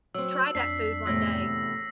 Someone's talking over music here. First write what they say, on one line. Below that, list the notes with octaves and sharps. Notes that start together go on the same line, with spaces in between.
try that food one day.
F#3 C4 E6
F2 D4 B6 C7
E2 A2 C3 E6 A#6